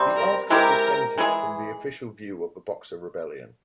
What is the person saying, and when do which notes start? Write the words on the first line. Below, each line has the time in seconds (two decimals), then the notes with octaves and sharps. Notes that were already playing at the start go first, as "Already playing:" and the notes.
The article dissented from the official view of the Boxer Rebellion.
Already playing: C3 G3 C4
0.17 A#4
0.50 G#3 C4 E4 G4 A#4
1.18 E3 G#3 E4 G#4